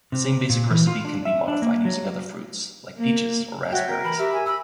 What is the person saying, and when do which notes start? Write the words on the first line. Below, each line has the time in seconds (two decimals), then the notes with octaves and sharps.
The same basic recipe can be modified using other fruits like peaches or raspberries.
0.12 C3
0.50 A#2
0.70 E3
0.87 F4
1.05 D4
1.25 E5
1.48 D4
1.62 A#3
1.85 F#3
2.98 A#3
3.72 F#4 C#5 E5 G5
3.88 A#4
4.04 E3 B5
4.19 G4 E5
4.33 G#5
4.46 B5 E6